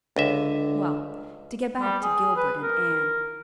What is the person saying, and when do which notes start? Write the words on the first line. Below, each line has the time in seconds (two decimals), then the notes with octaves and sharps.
Well, to get back to Gilbert and Anne.
0.16 C#2 D3 D#5 E5
1.80 G3
2.02 G#4
2.36 B4
2.63 A#4